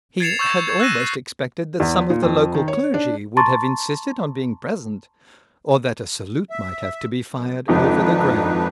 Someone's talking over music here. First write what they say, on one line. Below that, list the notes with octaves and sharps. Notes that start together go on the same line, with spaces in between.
He had almost expected that some of the local clergy would have insisted on being present, or that a salute might have to be fired over the grave.
G#6 A6 C7 C#7 E7 F7
C#6 E6 G6 E7
G#6
C#6 G6 G#6
E6 F#6 G#6 A#6 D#7
C7
E2
A#2
F2
D#3
C#5
D4
A5 A#5 C6 C#6 A6
E5
F#2
G#1 F2 D4 D#4 B4